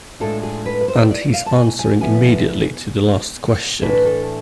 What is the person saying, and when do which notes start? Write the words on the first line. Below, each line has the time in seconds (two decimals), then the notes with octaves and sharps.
And his answering immediately to the last question.
0.20 A2 G#3 D4 F4 A4
0.43 G#4
0.66 B4
0.81 B4
0.88 C5
1.11 D5
1.33 F5
1.46 A5
1.55 G#5
1.79 G#5
2.01 D3 F3 B3 E4 G#5
3.82 A2 E3 A3 D4 B4
4.05 A4